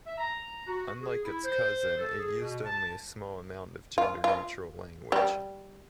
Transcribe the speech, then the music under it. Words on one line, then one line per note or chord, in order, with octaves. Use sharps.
Unlike its cousin, it used only a small amount of gender-neutral language.
E5
A#5
F#4
G#4
E4
C5
A4
G#4
B2
A5
F4
F4
G3